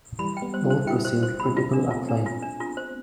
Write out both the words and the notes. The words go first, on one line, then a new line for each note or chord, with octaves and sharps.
Both received critical acclaim.
E3 G3 B5
G5
G3 B3
C5
D4 F4
C5
E4 G4 G5
C5
C5
B5
D4 F4
C4 D4
B3
A3 C4 F4
D4
F4
D4
F4
C5